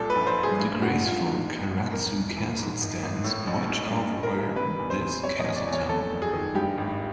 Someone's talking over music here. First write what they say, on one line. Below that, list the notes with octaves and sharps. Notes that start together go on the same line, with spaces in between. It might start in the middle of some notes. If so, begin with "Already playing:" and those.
The graceful Karatsu Castle stands watch over this castle town.
Already playing: C2 A#2 A4
B4
A#1
C5
A#1
G#4
G2
G1 F#4
G1 F4
G#2
G#1
G#1
E2 A#4
E1
E3
G#2
G#1
G#1
A2
A1
A1
G2
A1
A#4
G3
C3 B4
E2
C5
E2
C3 C#5
D#5
E2
D5
E2
C#5
F2 A4
F#1
G#4
D#3
G2 G4
G#1